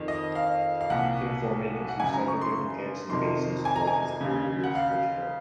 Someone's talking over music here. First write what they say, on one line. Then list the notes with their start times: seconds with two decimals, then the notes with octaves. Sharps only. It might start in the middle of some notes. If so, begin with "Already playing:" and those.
Tim Foreman has used several different amps and basses throughout his career with Switchfoot.
Already playing: F2 D#3
0.08 D#5
0.35 F5
0.81 F5
0.90 C2 A#2 F#5
1.89 F#5
2.00 F#2 C#3 G#5
2.14 A#5
2.28 C#6
2.41 C6
3.10 F2 C3 D#3 C6
3.65 G#5
3.76 A#5
3.87 G#5
4.21 D#2 C#3
4.64 F#5
4.75 F5